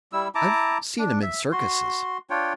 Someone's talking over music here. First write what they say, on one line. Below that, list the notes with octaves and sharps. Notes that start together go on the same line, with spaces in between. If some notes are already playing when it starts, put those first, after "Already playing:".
"I've seen 'em--in circuses."
G3 E4 E6
E4 A5 A#5 D6
D4
E5
F#4 C6
D4 F4 C#5 G5